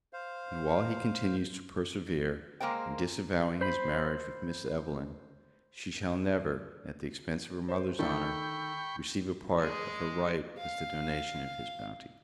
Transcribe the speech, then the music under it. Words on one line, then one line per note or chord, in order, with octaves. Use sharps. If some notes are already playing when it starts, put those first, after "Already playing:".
And while he continues to persevere in disavowing his marriage with Miss Evelyn, she shall never, at the expense of her mother's honour, receive a part of her right as the donation of his bounty.
C5 F5
G#3 A#3 A#4 C5 G5
C5 B5
C5
D#3 A4 G5 B5 C#6
G#3 G#4
F5